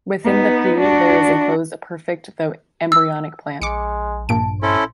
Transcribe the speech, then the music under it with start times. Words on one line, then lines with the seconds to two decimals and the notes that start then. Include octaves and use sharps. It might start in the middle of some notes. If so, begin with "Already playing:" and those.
Within the pea, there is enclosed a perfect, though embryonic plant.
0.24 B3 D#4
0.80 D4 F#4
2.92 E6
3.62 A#1 G#3 D6 C#7
4.29 A#1 G2 A#2 A5 D7
4.62 C#4 E4 A4 C5